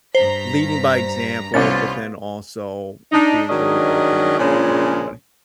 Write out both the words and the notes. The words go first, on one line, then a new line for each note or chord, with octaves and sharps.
leading by example, but then also being really open-minded with everybody.
G2 C5 A#5 B6
C2 B3 C#4 F4 C#5 A6
D4 D#4
D#3 F#3 G#3 C#4 D4 D#5
A#2 C#3 F3 G#3 C#4 D4